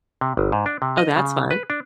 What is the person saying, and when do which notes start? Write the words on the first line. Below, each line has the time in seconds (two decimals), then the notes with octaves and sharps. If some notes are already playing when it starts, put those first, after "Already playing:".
Oh, that's fun.
0.21 C3
0.37 G1
0.52 G#2
0.66 D4
0.82 C3
0.98 D#5
1.16 C#3
1.51 B4
1.70 D4